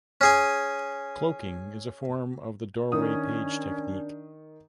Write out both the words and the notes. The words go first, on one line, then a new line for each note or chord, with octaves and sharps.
Cloaking is a form of the doorway page technique.
C#4 G#4 G#5
D#3 C#4 D4 D#6